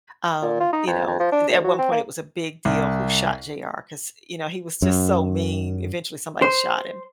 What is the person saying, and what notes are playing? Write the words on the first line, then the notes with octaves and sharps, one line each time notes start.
um, you know, i th at one point, it was a big deal who shot J.R., 'cause, you know, he was just so mean, eventually somebody shot him,
A#2
F4
D#4
F2
F2
F3
D4
D2
F#3
C4
A#3
C2
F#2
C5